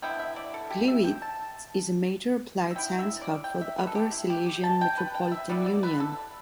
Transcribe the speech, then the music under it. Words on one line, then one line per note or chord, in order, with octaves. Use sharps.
Gliwice is a major applied science hub for the Upper Silesian Metropolitan Union.
D3 B3 E4 G5
E5
D5
A4
G4
E5
G5
A5
E5
D3 B3 E4 G5
E5
D5
G5
E5
B4
A4
G4
E4
G4
G4
A5
G5
B4
G5
E5
G3 B3 E4 D5
D5
B4
A4